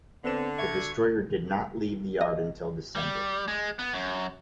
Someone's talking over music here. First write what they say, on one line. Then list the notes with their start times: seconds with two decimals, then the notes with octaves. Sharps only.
The destroyer did not leave the yard until December.
0.24 D3 B3 C4 E7
0.58 E5 C#6 G#6
2.21 D#5
2.95 G3
3.48 G#3
3.79 B3
3.93 F#2